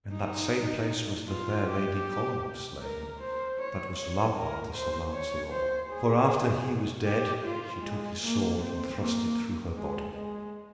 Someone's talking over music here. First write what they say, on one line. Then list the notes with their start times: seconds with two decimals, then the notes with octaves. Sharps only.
And in that same place was the fair lady Colombe slain, that was love unto Sir Lanceor; for after he was dead she took his sword and thrust it through her body.
0.12 D#4
1.28 F4
1.66 G4
2.81 A#4
3.20 C5
3.59 C#5
3.97 C#5
4.36 A#4
4.74 C5
5.13 C#5
5.51 C5
5.90 G#4
7.06 G4
7.44 F4
7.83 G#3
8.21 A#3
8.60 C4
8.99 A#3
9.75 G#3
10.14 G#3